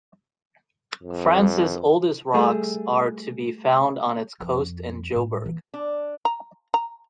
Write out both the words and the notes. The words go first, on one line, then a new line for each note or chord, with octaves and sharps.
France's oldest rocks are to be found on its coast in Jobourg.
F2
G3 A3 G#4
F2
A2 D4
E3 A#3
D4
A#5
A#5